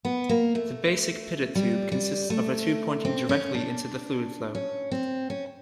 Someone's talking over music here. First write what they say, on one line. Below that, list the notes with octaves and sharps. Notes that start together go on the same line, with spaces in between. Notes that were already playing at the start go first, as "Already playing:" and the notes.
The basic pitot tube consists of a tube pointing directly into the fluid flow.
B3
A#3
A3
G3
G3
A3
C4
C#4
D4
C#4
C4
C#4